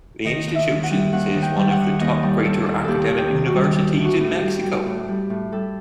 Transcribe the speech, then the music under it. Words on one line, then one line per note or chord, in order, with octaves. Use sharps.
The institution is one of the top greater academic universities in Mexico.
D#3 D#5
D#2
E5
D#3
F#5
G3
D#2 F#5
D#3
G5
G3
F#5
D#3
D#2 D#5
G3
G3 A4
D#2
D#2 G4 A4
D#3
G4
D#3
F#4
G3
G3
A2
F#4
A2
G4
G3
G3
A2
G3
A2
G3 A4